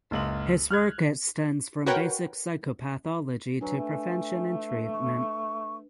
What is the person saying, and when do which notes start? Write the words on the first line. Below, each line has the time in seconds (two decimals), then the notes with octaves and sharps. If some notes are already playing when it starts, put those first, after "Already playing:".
His work extends from basic psychopathology to prevention and treatment.
0.11 F#1 C#2 F#7
0.71 F6 F#6 G#6
1.86 F#4 A#4 B4 C#5 F#5 G5
3.61 F#3 D4 B4 G#5
3.77 A3
4.94 C#6